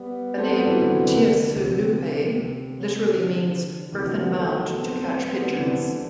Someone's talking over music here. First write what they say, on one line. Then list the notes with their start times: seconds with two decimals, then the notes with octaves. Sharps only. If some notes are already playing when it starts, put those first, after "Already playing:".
The name "Tia Seu Lupe" literally means "earthen mound to catch pigeons".
Already playing: G3 B3
0.38 A3 C4
0.48 G3 B3
0.58 F#3 A3
0.67 E3 G3
0.77 D3 F#3
0.90 D3 F#3
1.03 C3 E3
1.17 D3
1.56 C3
2.34 C3
3.13 D3
3.92 C3 E3
4.06 D3 F#3
4.18 G3 B3
4.31 F#3 A3
4.51 F#3 A3
4.71 B3
4.81 C4
4.91 B3
5.01 C4
5.10 B3
5.20 C4
5.30 G3 B3
5.50 D3
5.58 E3
5.66 D3
5.90 D3